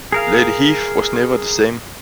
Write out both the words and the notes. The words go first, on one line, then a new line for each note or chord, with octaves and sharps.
Lady Heath was never the same.
G#4 A#4 F5